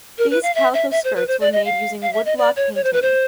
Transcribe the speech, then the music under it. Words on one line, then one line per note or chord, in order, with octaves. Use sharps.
These calico skirts were made using woodblock painting.
A#4
B4
F5
E5
E5
E5
C5
B4
C5
D5
D#5
F5
F5
E5
D#5
D5
C#5
C#5
C5
B4
C5